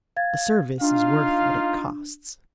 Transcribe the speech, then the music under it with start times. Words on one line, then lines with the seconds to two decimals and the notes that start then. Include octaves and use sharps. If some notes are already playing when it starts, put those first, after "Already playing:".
A service is worth what it costs.
0.16 F5 G#6 A6
0.81 D4 D#4 F4 F5